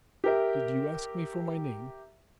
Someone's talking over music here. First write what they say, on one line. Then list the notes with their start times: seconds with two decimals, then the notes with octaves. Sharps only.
"Did you ask me for my name?"
0.24 G4 A#4 E5